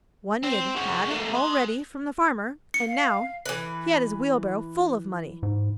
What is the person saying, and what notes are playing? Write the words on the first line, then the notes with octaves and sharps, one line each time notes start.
One he had had already from the farmer, and now he had his wheelbarrow full of money.
C4 C5
F#4 G#4
A3 A#3
G#5 C6
C#7
F5
E3 B4
G#2